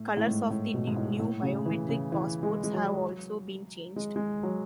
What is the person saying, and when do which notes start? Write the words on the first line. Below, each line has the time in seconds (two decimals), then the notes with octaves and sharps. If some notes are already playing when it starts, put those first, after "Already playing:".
Colours of the new biometric passports have also been changed.
Already playing: A2
0.17 A2
0.27 G#2
0.50 A2
0.74 B2
0.87 G#2
0.96 A2
1.20 A2
1.42 C#3
1.66 E3
1.89 C#3
2.12 E3
2.43 G#3
2.64 G#3
2.73 F#3
3.96 G#3
4.16 G#3
4.43 F#3